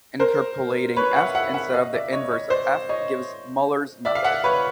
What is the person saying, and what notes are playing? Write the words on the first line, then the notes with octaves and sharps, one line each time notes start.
Interpolating "f" instead of the inverse of "f" gives Muller's method.
A#4 C5
B4 C#5
F5
E5 F#5
E5 F#5
E5 F#5
D#5 F5
D5 E5
C#5 D#5
C#5 D#5
C5 D5
C#5 D#5
D5 E5
F5
E5 F#5
B4 C#5